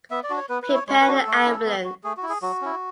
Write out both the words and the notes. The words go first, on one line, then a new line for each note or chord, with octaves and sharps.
Prepare an ambulance.
B3 E5
D5
D4 F#4
C#5
B3 B4
B4
E4
C#5
G#3 C#5
B4
D4 F#4
A4
A3
C#4 E4
B3
F#4
A3 G#4
F#4
E4
G#4
F#3 F#4
C#4 E4